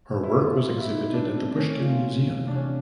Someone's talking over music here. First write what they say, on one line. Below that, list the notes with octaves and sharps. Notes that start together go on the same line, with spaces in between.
Her work was exhibited at the Pushkin Museum.
E4 F#4
F4
B3
E4
G3 F4
E4
D#4
A3 D4
C4
D4
A3 C#4
F4
C3
E3
C3 D4
C#4
D4